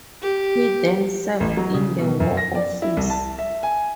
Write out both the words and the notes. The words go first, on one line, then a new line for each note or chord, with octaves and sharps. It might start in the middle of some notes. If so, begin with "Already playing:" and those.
He then served in the War Office.
G4
A1
F#3
C#3
B2
F#2
A#6
D5
E4
C2
A5
E5
G#5